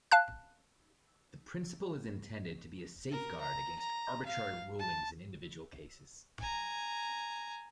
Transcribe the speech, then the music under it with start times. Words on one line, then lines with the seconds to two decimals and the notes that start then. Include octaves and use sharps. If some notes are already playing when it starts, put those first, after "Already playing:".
The principle is intended to be a safeguard against arbitrary rulings in individual cases.
0.12 F5 A5 F#6
3.11 A#4
3.41 A#5
3.79 A#5
4.26 F5
4.79 A5
6.41 G#5 A#5